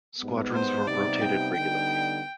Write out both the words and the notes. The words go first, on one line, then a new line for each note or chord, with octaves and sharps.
Squadrons were rotated regularly.
G#2 G3 B3
C5
C3 G3 B3 D#4 D5
G5
D3 G3 B3 D#4 G5